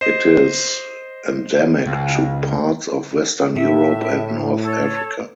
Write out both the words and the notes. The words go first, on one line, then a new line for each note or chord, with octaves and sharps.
It is endemic to parts of western Europe and north Africa.
C5 D#5 C7 E7
C#2
A2 E5
A4 C#5